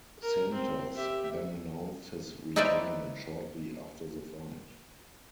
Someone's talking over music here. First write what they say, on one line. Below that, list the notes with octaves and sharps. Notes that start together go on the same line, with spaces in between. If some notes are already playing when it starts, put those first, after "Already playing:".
Santos then announced his retirement shortly after the fight.
A#4
C4
G4 E5
D#4 E4 B4 C5 D5 E5